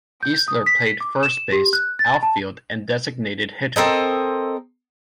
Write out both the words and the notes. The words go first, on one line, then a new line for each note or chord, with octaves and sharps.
Easler played first base, outfield and designated hitter.
G6
D#6
B6
D6
E7
G4
F#6
A6
A5
C4 A4 A#4 D#5